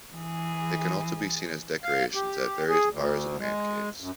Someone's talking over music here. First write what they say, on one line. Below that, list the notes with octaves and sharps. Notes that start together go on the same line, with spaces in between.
They can also be seen as decorations at various bars and man caves.
E3 G#4
F5
G4
G#4
D2
G#3
F#2